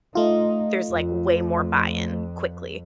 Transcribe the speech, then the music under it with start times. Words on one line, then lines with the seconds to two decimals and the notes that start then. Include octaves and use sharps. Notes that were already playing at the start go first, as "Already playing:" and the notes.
there's, like, way more buy-in, quickly.
0.15 A3 D#4 F4
0.90 F2